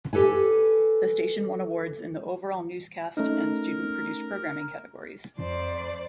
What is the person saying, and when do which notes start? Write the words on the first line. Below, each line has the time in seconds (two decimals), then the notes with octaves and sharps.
The station won awards in the "overall newscast" and "student produced programming" categories.
0.13 G4 A4 B4 G#5
3.17 A3 C#4 D#4 A#4
5.38 F2 C5 D5